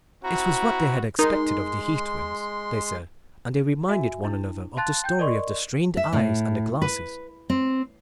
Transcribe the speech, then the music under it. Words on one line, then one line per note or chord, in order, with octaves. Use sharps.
It was what they had expected of the Heath twins, they said, and they reminded one another of the story of the strained eyes and the glasses.
C4 E4 F#4 A#5
G#3 D#4 A#4 C6
F#4 E5 G#5
D4 E4
F5 A5 C6 F#6 A6
G5 G6
A#4 D5 D#5 C6 C#6
E5
A2
B4
C4